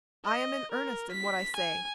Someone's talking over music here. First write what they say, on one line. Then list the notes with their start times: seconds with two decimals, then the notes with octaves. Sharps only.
I am in earnest in what I say.
0.25 D#5
0.71 A#4
1.11 B6
1.56 G#5